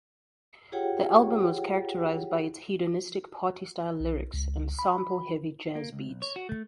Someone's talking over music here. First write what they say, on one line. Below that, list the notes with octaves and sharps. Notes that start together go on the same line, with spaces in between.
The album was characterized by its hedonistic party-style lyrics and sample-heavy jazz beats.
F4 G4 G#4 C#5 F#5 G5
B1
C#2
B5
A#3
C#2
B1
C#5
F#4
A3